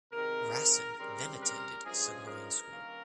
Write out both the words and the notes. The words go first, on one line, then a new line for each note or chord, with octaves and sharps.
Rasin then attended submarine school.
C3 D#3 G#3 C4 A#4
C#3 G3 C4
A#4
G2 F3 G#3 C#4 G#4
A#4
G2 D#3 A#3 C#4